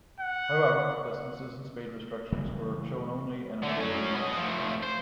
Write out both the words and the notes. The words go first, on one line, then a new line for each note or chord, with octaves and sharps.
However, distances and speed restrictions are shown only in imperial units.
F#5
C#3 E3 G3 G#3
D3 A3
F#3 C#4
B3 D#5
F3 A3
C5